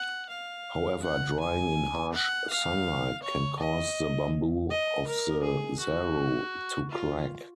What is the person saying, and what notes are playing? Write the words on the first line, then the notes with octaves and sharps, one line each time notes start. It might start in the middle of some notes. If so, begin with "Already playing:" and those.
However, drying in harsh sunlight can cause the bamboo of the "zaru" to crack.
Already playing: F#5
F5
F#5
G#5
F#5
F5
C#5
D#5
D#5
A#4
G#4
F#4
F4